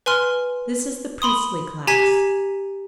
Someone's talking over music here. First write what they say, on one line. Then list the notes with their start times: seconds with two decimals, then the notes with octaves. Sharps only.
This is the priestly class.
0.06 B4 G#5 C6 F6
1.22 B5 C6 D#6
1.87 G4 G#5 A#5 G#6 B6 F7